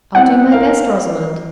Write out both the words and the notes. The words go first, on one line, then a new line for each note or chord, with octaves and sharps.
'I'll do my best, Rosamond.
C4 E4 F#5
A#4 F5